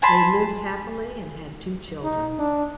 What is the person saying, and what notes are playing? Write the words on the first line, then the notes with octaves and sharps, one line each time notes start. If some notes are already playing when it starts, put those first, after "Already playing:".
They lived happily and had two children.
G#5 A5 B5 C6
D#4
D4